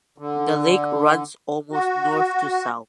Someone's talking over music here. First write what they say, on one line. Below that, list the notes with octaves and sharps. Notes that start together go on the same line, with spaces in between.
The lake runs almost north to south.
D3
F#4